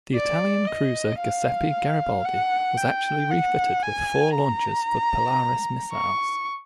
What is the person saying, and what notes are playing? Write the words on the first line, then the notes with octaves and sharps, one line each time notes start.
The Italian cruiser "Giuseppe Garibaldi" was actually refitted with four launchers for Polaris missiles.
D5
D#5
F5
F#5
G5
F#5
G#5
A#5
C#6